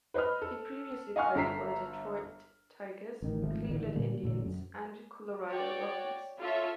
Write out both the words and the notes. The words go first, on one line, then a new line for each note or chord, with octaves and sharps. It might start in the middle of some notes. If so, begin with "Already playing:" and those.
He previously played for the Detroit Tigers, Cleveland Indians, and Colorado Rockies.
B4 C5 D#5 B5 F6
A4
D#5 F5 F#5 G#5 C#6 F6
G1 A4 A#5 B6 C7
A1 D#3
G#1 F3 A3
A1 A2 D3 D#3
A#2 D3 G3 A#3
A1 A#2 D3
F#2
F#4 C#5 D5 G5
F4 A4 C#5 E5 F5